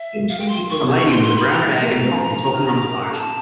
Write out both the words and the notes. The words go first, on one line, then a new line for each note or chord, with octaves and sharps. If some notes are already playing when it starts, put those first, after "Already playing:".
A lady with a brown bag and coffee talking on the phone.
Already playing: E5
F5
G5
C6
C#6
C6
C6
B5
A#5
A5